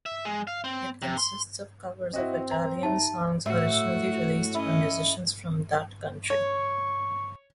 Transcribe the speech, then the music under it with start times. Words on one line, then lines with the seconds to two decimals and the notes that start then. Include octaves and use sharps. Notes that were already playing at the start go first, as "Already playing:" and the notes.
It consists of covers of Italian songs originally released by musicians from that country.
0.06 E5
0.25 G#3
0.47 F5
0.64 C4
1.02 C3
1.18 C6
2.14 C4 E4 F#4 D#5
2.51 A#5
2.83 D#4 G4 E5 A5
3.46 A2 A3 F#4 E5
4.54 C#4 E4 D#5
6.30 C#5 C#6